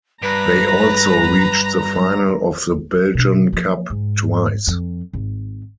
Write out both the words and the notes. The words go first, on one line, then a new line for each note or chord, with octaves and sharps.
They also reached the final of the Belgian Cup twice.
G2 B4 A#5
B2 D3
F3 A#3
G#2
F2
G#1